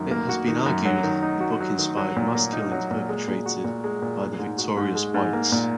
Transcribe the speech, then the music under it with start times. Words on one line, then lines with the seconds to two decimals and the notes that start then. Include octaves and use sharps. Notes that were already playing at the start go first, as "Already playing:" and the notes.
It has been argued the book inspired mass killings perpetrated by the victorious Whites.
Already playing: F#2 D#3
0.11 A#3
0.29 F#4
0.48 D#3
0.66 F#2
0.85 F#3
1.04 D#3
1.22 D#4
1.41 F#4
1.60 F#3
1.79 D#3
1.97 F#3
2.16 A#2
2.35 A#3
2.53 D#4
2.72 F#3
2.91 A#2
3.09 G#3
3.28 A#2
3.46 F#4
3.64 A#2
3.84 G#3
4.02 A#2
4.22 G#3
4.39 G#2
4.58 F#4
4.77 G#2
4.95 G#3
5.14 G#2
5.33 A#3
5.52 A#2